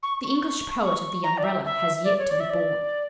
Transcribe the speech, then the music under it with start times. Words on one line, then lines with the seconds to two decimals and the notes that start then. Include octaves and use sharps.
The English poet of the Umbrella has yet to be born.
0.02 C#6
0.22 C#6
0.42 C#6
0.84 C#6
1.23 A#5
1.37 D5
1.43 E5
1.64 E5
2.04 D5
2.18 C#5
2.30 D5
2.40 E5
2.49 D5